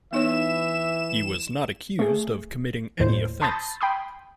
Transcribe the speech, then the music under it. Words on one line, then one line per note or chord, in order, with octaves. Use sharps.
He was not accused of committing any offence.
E3 B3 D#4 C#5 E5 E7
A3 G#4
D#2 A2 C5
A5 B5 C6 D#6 G6 A6
G5 B5 C6 D#6